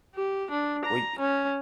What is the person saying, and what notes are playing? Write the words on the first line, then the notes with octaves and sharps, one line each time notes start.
wait it
G4
D4
A#5
C#4